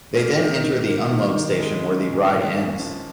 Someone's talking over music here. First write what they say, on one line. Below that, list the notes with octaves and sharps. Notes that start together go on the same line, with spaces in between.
They then enter the unload station where the ride ends.
A#3
D#3
D#3
A#3
D#3
D#3
G#3
C#4
A#2
A#2
C#4
F3